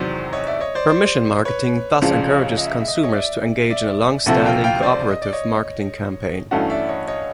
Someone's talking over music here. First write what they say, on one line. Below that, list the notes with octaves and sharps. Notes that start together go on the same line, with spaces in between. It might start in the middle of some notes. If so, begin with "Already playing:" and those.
Permission marketing thus encourages consumers to engage in a long-standing, cooperative marketing campaign.
Already playing: E2 C3 D#3 F#3 C5 D5
C#5 D#5
D5 E5
C#5 D#5
C5 D5
C5 D5
B4 C#5
C#2 C#3 F3 C5 D5
C#5 D#5
D#5
E5
D#5
E5
D#5
E5
C#5 D#5
D5 E5
D5 E5
D2 C3 F3 A3 E5 F#5
F5 G5
F5 G5
C5 D5
D#5
D5
C#5 D#5
G2 E3 A3 C#4 F#4 D#5 F5
D5 E5
C#5 D#5
C#5 D#5